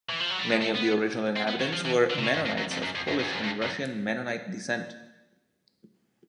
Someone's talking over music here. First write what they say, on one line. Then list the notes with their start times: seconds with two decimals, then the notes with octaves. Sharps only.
Many of the original inhabitants were Mennonites of Polish and Russian Mennonite descent.
0.09 E3
0.20 F3
0.31 F#3
0.39 G3
0.50 G#3
0.62 A3
0.75 B3
1.36 C4
1.48 B3
1.61 F#3
1.73 F3
1.85 E3
2.10 D3
2.18 C3
2.22 C#3
2.34 G2
2.46 F2
2.58 F#2
2.71 F2
2.83 F#2
2.95 F2
3.08 F#2
3.19 F#2
3.27 F2
3.33 F#2
3.44 G2
3.62 F#2